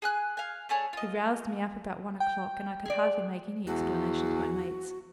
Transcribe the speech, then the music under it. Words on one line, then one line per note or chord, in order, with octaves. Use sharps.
He roused me up about one o'clock, and I could hardly make any explanation to my mates.
G#4 G#5 F#6
F5 G#5
A3 D4 G#4 C#5
F4 D#5
G5
G#4 D5
E2 F#4